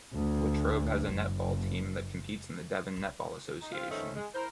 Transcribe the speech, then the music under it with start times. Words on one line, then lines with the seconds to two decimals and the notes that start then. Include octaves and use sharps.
Latrobe has a netball team that competes in the Devon Netball Association.
0.15 D2
1.08 F#1
3.61 D#4
3.72 C4 F4
3.91 G#2 D#3 F3 A3 C#4 D#4
4.16 G#3
4.34 E4 A#4 C5